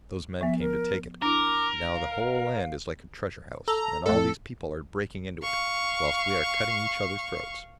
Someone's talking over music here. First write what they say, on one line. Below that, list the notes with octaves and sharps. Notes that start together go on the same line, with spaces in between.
Those men came to take it. Now the whole land is like a treasure-house, and all these people are breaking into it, whilst we are cutting each other's throats.
F3 B3 E5
A#4
D4 E4 A#4 D6
F5
A4 A#5
F2 A2 A4
F5 C#6